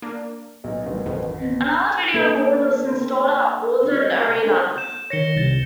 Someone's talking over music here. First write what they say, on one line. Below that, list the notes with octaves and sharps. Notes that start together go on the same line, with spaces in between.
Another video board was installed at Worthen Arena.
A#3 D4
B1 D#4
A1
F2 B2 D#3
A#3 D4 A4 B4
G6 E7
D#3 C#5 A#6 C#7 G7
C2 A6